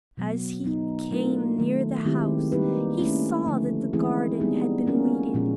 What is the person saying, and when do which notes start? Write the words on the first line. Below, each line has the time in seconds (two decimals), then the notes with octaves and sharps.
As he came near the house, he saw that the garden had been weeded.
0.17 B2 F#3 B3
0.64 F#3 B3 D#4
1.11 F#3 A3 D4 F4 A#4
1.58 D#3 F#3 A3
2.05 D#3 G#3 C4 E4 G4
2.52 G3 A#3 D#4 G4 B4
2.99 A3 C#4 E4
3.46 D3 F3 A3
3.93 E3 G#3 C4 E4 G#4
4.40 G3 B3 D#4 G#4
4.87 A#3 C#4 F4 A#4
5.34 A#2 F3 G#3 C#4 F4